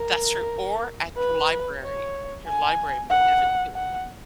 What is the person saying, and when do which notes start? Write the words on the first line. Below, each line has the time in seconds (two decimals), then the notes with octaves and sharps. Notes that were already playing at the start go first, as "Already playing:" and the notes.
That's true. Or at your library; your library might have it too.
Already playing: A#4
1.17 B4
1.82 C#5
2.47 G#5
3.10 F#5
3.75 F#5